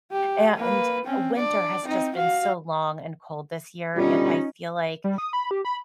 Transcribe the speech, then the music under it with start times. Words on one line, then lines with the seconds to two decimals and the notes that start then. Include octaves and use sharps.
And winter has just been so long and cold this year, and I feel like
0.12 G4
0.56 A#3 B4
1.05 C4 C#4
1.37 D4 D5
1.85 C4 D#4
2.16 F#4 F5
3.96 B2 D3 G3 C#4 D#4 F4
5.04 G3
5.18 D#6
5.33 B5
5.51 G4
5.65 B5